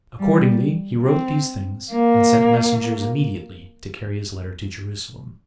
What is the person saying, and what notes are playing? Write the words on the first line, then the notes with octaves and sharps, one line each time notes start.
Accordingly, he wrote these things, and sent messengers immediately to carry his letter to Jerusalem.
G3
C4
A#3